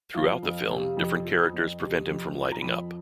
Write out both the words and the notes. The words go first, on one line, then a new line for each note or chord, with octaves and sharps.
Throughout the film, different characters prevent him from lighting up.
F3 F5
F2
C3
F2
F3
F2
C3
F2
F3
A#5
F2 B5